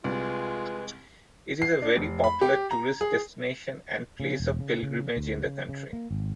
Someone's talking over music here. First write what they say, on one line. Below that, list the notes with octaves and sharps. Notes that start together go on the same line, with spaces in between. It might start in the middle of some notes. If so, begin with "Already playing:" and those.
It is a very popular tourist destination and place of pilgrimage in the country.
C2 G#3 F4 B4
C7
D4
F1
B5
G4
A#5
G#4
C#3
E1
C#3
C#3
D2
C#3
C#3
A#3
G#1